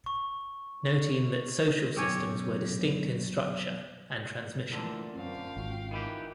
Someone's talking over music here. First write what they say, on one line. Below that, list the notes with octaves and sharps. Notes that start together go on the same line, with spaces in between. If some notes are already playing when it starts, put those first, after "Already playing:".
Noting that social systems were distinct in structure and transmission.
C#6
B1 F#2 G4 C#5 G#5
A#2 D3 E3 A3 E6 F6
F#2 C4 C#4 F5 G5
G#1 F4 F#4
D#3 E3 G4